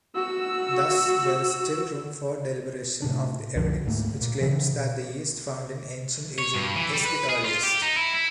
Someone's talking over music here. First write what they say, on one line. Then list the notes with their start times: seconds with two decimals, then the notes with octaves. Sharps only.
Thus, there is still room for deliberation of the evidence which claims that the yeast found in Ancient Egypt is the earliest.
0.15 F#4 E6
3.02 A2 C3 D4
3.56 C2 F#2 D3 F3
3.86 D2 G#2 A3 A#3
4.21 A#2
4.41 C#3 E3
4.73 B2
6.38 C#5
6.54 G2
6.76 E3
6.92 G3
7.05 B4
7.29 G#4
7.45 F4
7.63 G4
7.82 D#4
7.96 E4
8.14 E4